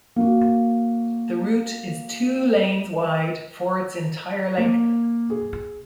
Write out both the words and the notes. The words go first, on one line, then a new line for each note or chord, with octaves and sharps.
The route is two lanes wide for its entire length.
A#3 F#4
A#3
G#4